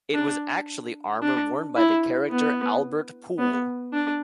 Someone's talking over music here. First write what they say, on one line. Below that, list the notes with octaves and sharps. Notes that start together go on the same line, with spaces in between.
It was actually armor worn by the character Albert Poole.
D4
D4
E4
B3
B3
D4